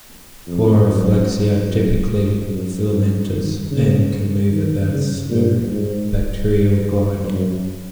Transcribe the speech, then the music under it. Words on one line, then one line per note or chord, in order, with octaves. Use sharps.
Chloroflexia are typically filamentous, and can move about through bacterial gliding.
F2
F#2
F#2
G#2
F#2
F#2
D#3
C#3
D#3
C#3
A#2
G#2
F#2